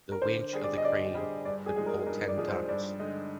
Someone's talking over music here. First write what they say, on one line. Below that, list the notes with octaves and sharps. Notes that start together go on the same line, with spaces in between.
The winch of the crane could pull ten tons.
A#4
D3 C5
G3 D4 G#4 C5
D5
D#5
D3 D5
G3 D4 G#4 C5
G2 D5
G#4
F3 G#3 D#4 G#4
A#4
G2 A#4
D5
F3 G#3 D#4 G#4
C5
G2 D5
D3 G#3 D#4